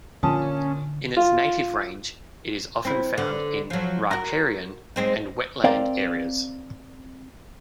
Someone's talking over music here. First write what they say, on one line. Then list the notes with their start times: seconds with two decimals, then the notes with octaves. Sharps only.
In its native range, it is often found in riparian and wetland areas.
0.23 A#2 D3 C#4 A5 D#6
1.17 F4
2.85 C4 E4
3.18 D3 B3
3.70 F3 F#3
4.11 F#4 A#4
4.96 G#3 C4 D#4
5.64 C4 A#4 C5 D5 F5 G5